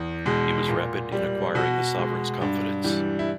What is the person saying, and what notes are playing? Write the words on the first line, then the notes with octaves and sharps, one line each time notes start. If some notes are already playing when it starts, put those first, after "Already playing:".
He was rapid in acquiring the sovereign's confidence.
Already playing: E2
B2 G#3
A#2
G3
B2 F#4
G#3
G2
E3 G3
E4